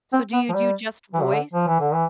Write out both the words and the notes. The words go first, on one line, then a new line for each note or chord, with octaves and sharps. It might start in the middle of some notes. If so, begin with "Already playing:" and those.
So, do you do just voice?
C4
B3
F3
G3
E3
C3
D3
F3
E3
D3
E3